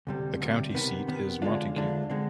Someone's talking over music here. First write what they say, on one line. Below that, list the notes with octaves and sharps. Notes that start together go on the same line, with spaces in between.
The county seat is Montague.
D2 C3 G3
D2 C3 G3
C3 D#3 B3
C3 D#3 B3
D2 D3 G#3 D4 F4
D2 D3 G#3 D4 F4
D3 G#3 C4